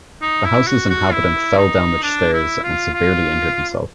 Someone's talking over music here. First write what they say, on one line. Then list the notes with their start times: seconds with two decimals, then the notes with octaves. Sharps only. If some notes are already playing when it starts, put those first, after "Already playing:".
The house's inhabitant fell down the stairs and severely injured himself.
0.22 D#4
0.45 E4
0.67 F#4
0.90 F#4
1.13 E4
1.58 D#4
2.03 D4
2.33 E4
2.63 F4
2.94 F4